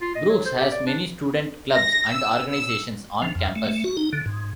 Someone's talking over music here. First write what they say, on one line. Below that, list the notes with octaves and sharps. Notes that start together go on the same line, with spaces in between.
Brooks has many student clubs and organizations on campus.
F4
D#5
F#3
C5
G4
D5
D4
A#6
E6
E6
F3
F2
A3
A3
F#4
D#4
D3
G#2